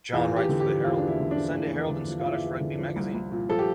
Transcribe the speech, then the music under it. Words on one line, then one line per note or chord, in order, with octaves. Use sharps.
John writes for The Herald, Sunday Herald and Scottish Rugby Magazine.
E2 F4
E2
G4
D3
G4
F3
E2 F4
E2 D4
E4
D3
D4
F3
E2
E2
D3
F3
F4
E2 E4
E2
D3
F3
C2
C2
A#2
F3 A4
G4